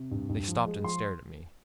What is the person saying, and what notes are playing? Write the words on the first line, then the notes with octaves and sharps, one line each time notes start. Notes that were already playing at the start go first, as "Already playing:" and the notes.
They stopped and stared at me.
Already playing: C3
G2
G2
F3
G#3
F3 C6